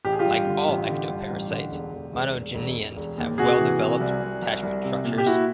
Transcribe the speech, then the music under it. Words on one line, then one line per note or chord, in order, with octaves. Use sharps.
Like all ectoparasites, monogeneans have well-developed attachment structures.
A1 G4
G#4
F4 G4
G2
D3
A1
D3
G2
A1
D3
E1
E1
E1
E1
E1
E1
E1
D#2
C3 F#4 G#4
E3
C3
C2
C2
C2
C2
C3
A#2
G4
A#2 E4 F#4